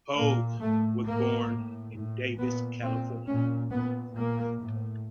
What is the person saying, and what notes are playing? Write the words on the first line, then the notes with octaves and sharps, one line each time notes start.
Hoag was born in Davis, California.
A#2 A#3
A2 A3
A2 A#3
A2
A2
A#2 B3
A#2 C4
A#2 C#4
A#2 B3
A#2 A#3
A2